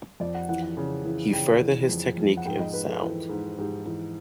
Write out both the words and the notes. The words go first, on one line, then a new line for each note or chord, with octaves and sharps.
He furthered his technique and sound.
F2 D5
F#5
E3 F#5
F#5
C#3
E3
C#3 G5
E3
F2
F2
F#5
G#2 G5
D#5
G#2 B4
A4
E3
G#2
G#2 G4
E3